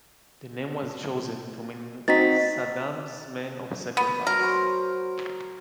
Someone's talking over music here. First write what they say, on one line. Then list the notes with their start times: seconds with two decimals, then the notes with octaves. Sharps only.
The name was chosen to mean "Saddam's Men of Sacrifice".
2.08 C4 D#4 F#4 A6 B6
3.97 B3
4.27 F#3 A#4 C#6
4.43 C5